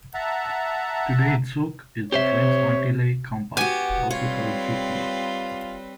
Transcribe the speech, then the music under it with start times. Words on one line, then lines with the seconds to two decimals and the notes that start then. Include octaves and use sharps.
Today, zouk is the French Antilles compas, also called zouk-love.
0.14 E5 F#5 A5 A#5
2.12 C3 G4 C5 C#5 E5
3.57 B3 F#4 G4 G#5
4.11 G3 C4 F4 B4 C#5